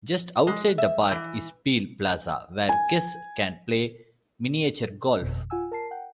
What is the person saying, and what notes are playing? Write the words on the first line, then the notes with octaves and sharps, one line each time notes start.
Just outside the park is Peel Plaza where guests can play Miniature Golf.
G#3
E5
E3
G#5
G1 F2 B2
F4 F#5 G#5 E6
A#4 A5 C7
F#5 G5